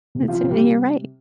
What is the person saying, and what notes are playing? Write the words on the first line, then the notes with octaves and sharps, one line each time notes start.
that's it, and you're right.
C3
F3 F4
C3
G3 G4